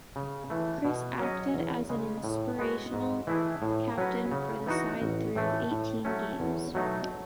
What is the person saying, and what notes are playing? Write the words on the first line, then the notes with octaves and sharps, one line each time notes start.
Chris acted as an inspirational captain for the side through eighteen games.
C#3
E3 A3
B2
F#3 C#4 G#4 D#5
E2
C#3 G#3
A2
G#3 B3 F#4
G#2
E3 A3 E4 G#4
A2
F#3 C#4 F#4 B4
C#3
E3 B3 D#4 F#4
A1
A2 E3 A3
A2
F#3 A3 C#4
E2
B2 F#3 A3 D#4